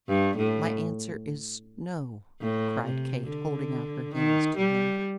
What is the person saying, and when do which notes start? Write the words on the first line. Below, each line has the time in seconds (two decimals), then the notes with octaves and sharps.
"My answer is 'no,'" cried Kate, holding out her hands to him.
0.08 G2
0.37 A2
2.41 A2
2.84 C3
3.27 D3
4.14 D#3
4.57 G3